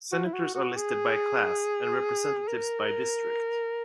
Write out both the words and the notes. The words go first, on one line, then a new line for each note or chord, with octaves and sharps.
Senators are listed by class, and Representatives by district.
F#4
E4
F#4
F#4
G#4
A#4